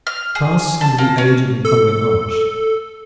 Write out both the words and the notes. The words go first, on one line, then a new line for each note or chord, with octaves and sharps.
Pass under the aged and crumbling arch.
F6
G#4
A5
A#3
C#4
A4